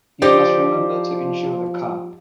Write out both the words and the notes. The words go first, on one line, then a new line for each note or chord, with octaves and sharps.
You must remember to insure the car.
F3 D#4 G4 C5 D5